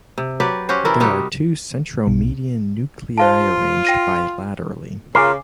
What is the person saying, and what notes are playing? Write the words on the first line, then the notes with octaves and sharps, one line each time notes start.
There are two centromedian nuclei arranged bilaterally.
C3
F#3 G4 B4 D5
C#4 F#4 G4 C5
E3 E4 A#4 D5
C3 G3 D#4 F#4
B1
F4 C5 F5 A5
G5 A#6 D#7
C#3 F4 A#4 G#5 D6 C7